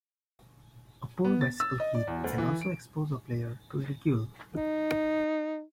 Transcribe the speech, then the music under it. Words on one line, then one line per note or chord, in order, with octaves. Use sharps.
A poor bicycle kick can also expose a player to ridicule.
B3
A6
E6
D#5
D5
E2
D2
E3
D7
D#4